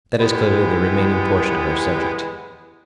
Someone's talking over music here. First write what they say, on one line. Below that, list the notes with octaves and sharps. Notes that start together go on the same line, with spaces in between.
That is clearly the remaining portion of our subject.
E3 G#3 B3 E4 G4